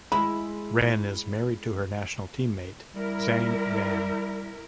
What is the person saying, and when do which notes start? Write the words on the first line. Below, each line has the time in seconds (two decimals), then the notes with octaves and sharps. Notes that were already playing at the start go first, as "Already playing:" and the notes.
Ren is married to her national teammate Zhang Yan.
0.12 G#3 E4 B5
2.96 G3 E4 A#4